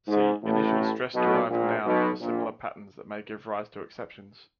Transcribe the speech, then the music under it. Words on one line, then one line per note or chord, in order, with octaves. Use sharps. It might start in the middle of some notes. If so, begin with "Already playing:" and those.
See initial-stress-derived noun for similar patterns that may give rise to exceptions.
G#2
A1 A2
B1 B2
A#1 A#2
B1 B2
A#1 A#2